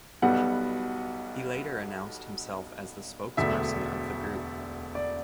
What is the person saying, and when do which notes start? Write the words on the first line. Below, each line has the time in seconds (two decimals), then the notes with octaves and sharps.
He later announced himself as the spokesperson of the group.
0.22 B1 B2 G3 B3 F#5
3.37 E1 D2 D3 E5
4.95 D5